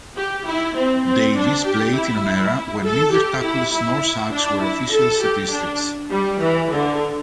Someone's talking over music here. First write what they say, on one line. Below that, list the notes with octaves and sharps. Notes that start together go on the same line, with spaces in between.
Davis played in an era when neither tackles nor sacks were official statistics.
G4
E4
C4
C4
D4
G4
E4
A4
G4
E4
E4
D4
E4
A4
G4
D4
G3
E3
D3